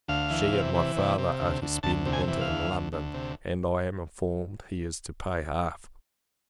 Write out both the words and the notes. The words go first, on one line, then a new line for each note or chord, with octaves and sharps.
She, and my Father, are to spend the winter in London; and, I am informed, he is to pay half.
D2 F5
E3
C3
E3
C3
C3
D2
D2
D2 A5
C3
G#5
E3
F5
D2
D2
D2
C3